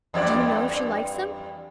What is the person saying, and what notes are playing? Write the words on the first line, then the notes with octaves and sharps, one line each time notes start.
"Do you know if she likes them?"
E2 G2 D5